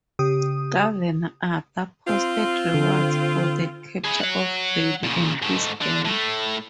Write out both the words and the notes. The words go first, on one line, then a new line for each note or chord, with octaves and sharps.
Governor Arthur posted rewards for the capture of Brady and his gang.
C#3 G4 D#6
C4 F4
D3
E4 G#4
C#5 F#5
A#2 C#3
G#2 A3
D3 D4
A2 A3